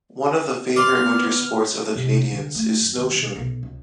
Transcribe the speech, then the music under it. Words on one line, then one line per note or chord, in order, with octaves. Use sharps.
One of the favorite winter sports of the Canadians is snowshoeing.
B3 D5 C6 F6
C3
D#4
D3
A3
F#2
D#2
E1
B1
C#2